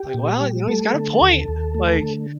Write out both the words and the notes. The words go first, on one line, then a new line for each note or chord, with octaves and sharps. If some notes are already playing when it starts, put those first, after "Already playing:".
like, "well, you know, he's got a point, like"
Already playing: G4
A#2
G3
A3 A4
D3
D#2
D#2
A3
D3